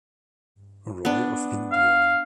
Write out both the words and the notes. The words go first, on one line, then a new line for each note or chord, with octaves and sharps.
Roy of India.
B3 D4
F5